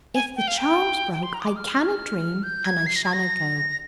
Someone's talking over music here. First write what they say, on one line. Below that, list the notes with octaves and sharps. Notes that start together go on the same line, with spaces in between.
'If the charm's broke, I canna dream, and I shanna go.'
G#5
G5
F5
G5
G5
C6
A#5
D#6
D6
F6
G6
G#6
C7
A#6
G#6
A#6